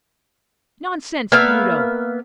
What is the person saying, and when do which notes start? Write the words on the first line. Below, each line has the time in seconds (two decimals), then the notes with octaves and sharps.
Nonsense, Pluto!
1.32 A#3 B3 E5 F5